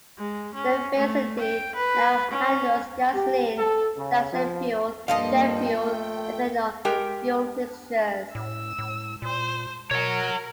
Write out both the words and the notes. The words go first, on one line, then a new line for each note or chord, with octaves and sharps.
The facility now handles gasoline, diesel fuel, jet fuel, ethanol, and fuel mixtures.
G#3
C#4
A3
G5
B4
C#4
G4
A4
C#3
F3
G2 F3 A#3 A4 D#5 F5
G5
A3
G#3 G4 A#4 G5
A2 E6
A2
A#2 C5
B2 A#4 C#5 F#5